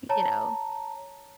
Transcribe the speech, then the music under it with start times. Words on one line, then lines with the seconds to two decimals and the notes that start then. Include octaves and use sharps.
you know,
0.09 C#5 A5 A#5